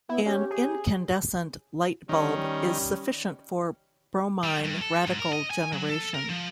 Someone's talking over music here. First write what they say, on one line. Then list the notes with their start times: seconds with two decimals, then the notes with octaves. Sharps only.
An incandescent light bulb is sufficient for bromine radical generation.
0.09 B3 E4
0.26 C#4 G4
0.51 G#4
2.09 D#3 G3 C#4
4.43 G3
4.64 G2
4.82 A4
5.07 G#2
5.20 A#4
5.33 D#5
5.51 G#5
5.73 F#3
5.90 A4
6.14 A#4
6.29 F3